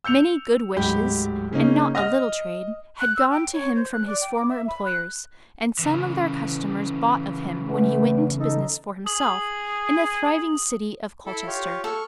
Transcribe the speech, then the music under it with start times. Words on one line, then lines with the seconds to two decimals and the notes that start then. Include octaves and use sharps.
Many good wishes, and not a little trade, had gone to him from his former employers, and some of their customers bought of him when he went into business for himself in the thriving city of Colchester.
0.04 E6 G6 C#7 F7
0.77 D1 G#2 F#3 G4 B5 G6
1.51 C#3 A#3 C#4 D#4
1.95 D#5 F6 A#6
3.00 F#6
3.16 E6
3.31 G5
3.53 C#5
3.76 C5
3.92 F#6
4.07 D5
4.21 G5
4.34 D6
4.49 E5
4.68 B5
4.85 F#6
5.79 C#3 E3
7.67 E2 A3
8.38 D#4 A4
9.06 G#4 D#6 F#7
11.26 E4 A4
11.47 F4 G4 C#5
11.84 A4 C#6 F6